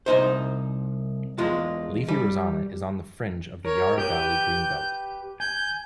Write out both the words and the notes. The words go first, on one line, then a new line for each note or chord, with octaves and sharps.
Leafy Rosanna is on the fringe of the Yarra Valley green belt.
C2 G2 D#4 C5
E2 G#3 F4
G3
A#4 C#5
G4 B4 G6
G#5 G6